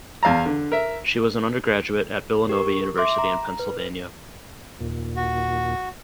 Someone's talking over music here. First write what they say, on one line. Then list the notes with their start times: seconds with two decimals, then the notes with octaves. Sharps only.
She was an undergraduate at Villanova University in Pennsylvania.
0.23 E2 F5 A5 A#5
0.46 D3
0.72 A#4 E5
2.49 G4 A#4 C#6
2.98 E5 C6 D6
3.18 A#5
3.59 B4
4.80 D#2 A#2
5.16 F#4